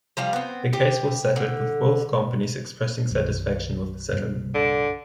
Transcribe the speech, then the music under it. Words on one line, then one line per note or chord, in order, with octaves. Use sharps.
The case was settled, with both companies expressing satisfaction with the settlement.
F3 G3 F5
B3 C4
G4
D3
B1 F#2 D#3
C2 G2 A#2
D3